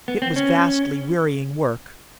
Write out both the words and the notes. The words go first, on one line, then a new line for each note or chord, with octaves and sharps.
It was vastly wearying work.
B3
C4
C#4